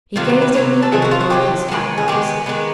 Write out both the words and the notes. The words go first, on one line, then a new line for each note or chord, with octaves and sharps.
He gazed at me, and twirled his fat thumbs.
C3 D#3 F#3 F4
F#4
B4
C3 D#3 F#3 C#5
A4
C3 D#3 F#3 G#4
F#4
F4
F#4
C3 D#3 F#3 G4
D#3 G#3 B3
G#4
D#3 G#3 B3 G4
D#3 G#3 B3